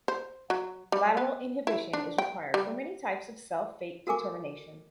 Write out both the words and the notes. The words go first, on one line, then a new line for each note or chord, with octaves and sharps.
Lateral inhibition is required for many types of cell fate determination.
C5
F#3
G3
B3
E4
D4
G5
G3
F#4 A4 A#4 G#5 D6